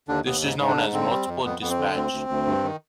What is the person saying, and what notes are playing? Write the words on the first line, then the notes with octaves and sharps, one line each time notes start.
This is known as "multiple dispatch".
D#2 D3 D4
D#2 B3
G#2
G#2
D3 D4
G#2
D3 C4
G3
F2
F2 B3
F2 B3
C4
D3
D2 C4
D2
D2
G2
D#3